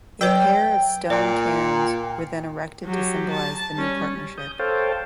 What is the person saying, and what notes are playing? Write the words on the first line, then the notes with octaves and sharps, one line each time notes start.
A pair of stone cairns were then erected to symbolize the new partnership.
F#3 B4 C#5 G5
A#2 D5
F#3 G4
A5
G3 C#4
D#6 G6
A4 C5 C#5 F5 G5 A5